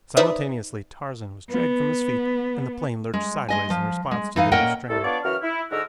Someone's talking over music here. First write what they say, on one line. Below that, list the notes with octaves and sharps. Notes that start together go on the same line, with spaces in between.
Simultaneously Tarzan was dragged from his feet and the plane lurched sideways in response to the new strain.
D#4 B4 C5 D5 E5 D#6
B3
G#3
G#3 D#5 G#5
F3
G#3
E3 D#4 F5
A#2 C#4 A#4 D#5 F#5 G5
C2 A4
B3 D4 F4 C#5 D5
F#2 E3 F#4 F6
E4
G#2 D3 G#3 F#4 A#4 E6